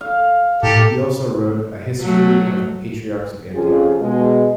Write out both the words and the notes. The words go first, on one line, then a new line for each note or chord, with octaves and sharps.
He wrote also a "History of the Patriarchs of Antioch".
F5
A2 A#3 G4 A4
F#3 A3
F2 C#4 F4 G4 G#4
B2 G#3